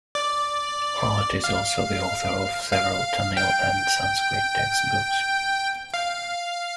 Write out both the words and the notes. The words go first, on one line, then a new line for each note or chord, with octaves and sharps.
Hart is also the author of several Tamil and Sanskrit textbooks.
D5
F5
F5
G5
F5